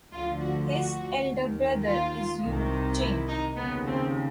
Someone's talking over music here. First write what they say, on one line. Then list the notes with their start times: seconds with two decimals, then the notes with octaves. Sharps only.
His elder brother is You Ching.
0.12 D2 D3 F3 F4
0.40 F#4
0.69 F#4
1.27 D#2 D#3
1.84 F4
2.43 C2 C3 D#3
2.99 E4
3.28 D#4
3.57 D#2 C#3 F3 B3
3.86 C4